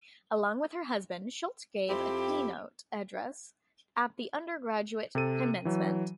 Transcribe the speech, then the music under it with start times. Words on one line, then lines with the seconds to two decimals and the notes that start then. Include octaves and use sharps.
Along with her husband, Schultz gave a keynote address at the undergraduate commencement.
1.89 F2 C4 E4 G4
5.15 C3 A4 D#7
5.65 E3 F#3